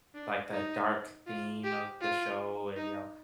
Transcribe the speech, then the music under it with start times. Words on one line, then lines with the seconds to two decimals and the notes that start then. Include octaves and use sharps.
like, the dark theme of the show and, you know.
0.15 D4
0.52 D#4
1.27 F4
1.64 G4
2.01 F4
2.76 D#4